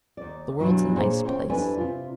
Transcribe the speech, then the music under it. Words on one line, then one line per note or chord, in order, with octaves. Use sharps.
The world's a nice place.
D#2 D5
G2 B2 E3 F#3 G3 D4
A#2 A#3 D4 G#4 C5 C#5
C#3 C5 C#5 F5 G5
F2 G3 D4 E4 B4 G#5
C3 F4